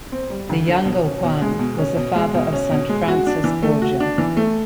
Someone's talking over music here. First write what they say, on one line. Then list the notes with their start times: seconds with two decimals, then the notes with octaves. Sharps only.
The younger Juan was the father of Saint Francis Borgia.
0.12 C4
0.30 G3
0.49 D2
0.68 D3
0.85 B2
1.04 C#4
1.23 B2
1.42 G#3
1.59 B2
1.78 C#4
1.96 B2
2.15 G#3
2.34 B2
2.53 C#4
2.71 B2
2.89 G#3
3.08 F#4
3.26 D4
3.44 E3
3.63 A3
3.82 F#4
4.00 D4
4.18 E3
4.37 A3